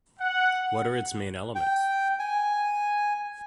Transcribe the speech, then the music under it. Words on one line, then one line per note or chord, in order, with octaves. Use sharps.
What are its main elements?
F#5
G5
G#5